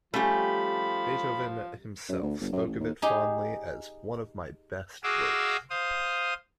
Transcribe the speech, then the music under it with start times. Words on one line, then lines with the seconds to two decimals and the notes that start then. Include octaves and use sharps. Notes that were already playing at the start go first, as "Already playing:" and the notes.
Beethoven himself spoke of it fondly as "one of my best works".
0.14 F3 G3 A3 C#4 G4 B5
2.09 F#2
2.22 D2
2.40 G1
2.53 F#2
2.67 A1
2.80 D#2
3.02 D#4 G4 G#4
5.03 F#4 G#4 D#5 F5 D6 E6
5.70 C5 F5 D#6